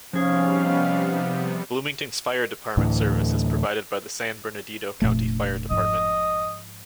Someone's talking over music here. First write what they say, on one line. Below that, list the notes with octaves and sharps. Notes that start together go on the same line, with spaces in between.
Bloomington's fire department service is provided by the San Bernardino County Fire Dept.
C3 F3 G3 B3 C#4 D#4 G#4 F5
D2 A2 D3 E3
F1 A#2 A3 D4
G#2 F3 D#5